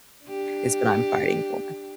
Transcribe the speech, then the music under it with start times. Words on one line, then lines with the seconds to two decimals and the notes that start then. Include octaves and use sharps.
is what I'm fighting for.
0.24 D4 G4